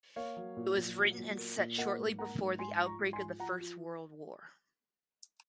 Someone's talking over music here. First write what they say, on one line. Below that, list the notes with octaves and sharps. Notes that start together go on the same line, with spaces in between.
It was written and set shortly before the outbreak of the First World War.
A#3 C#5 F5
F#3
A#2
A#2
F#3
A#2
A#3
A#2
A#3 D#5 F#5
G#2
A#3 F#5 A#5
G#2
G#2 G#5 C6
F3
A#5 C#6
G#2
G#5 C6
F3
F3 F#5 A#5
F3